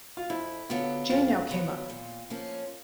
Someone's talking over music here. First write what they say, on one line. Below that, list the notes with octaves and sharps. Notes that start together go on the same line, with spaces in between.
Jane now came up.
F4
F2 E4
D3 F#3 B3 F4
F2 F4
D3 F#3 B3
A#2
F3 A#3 C#4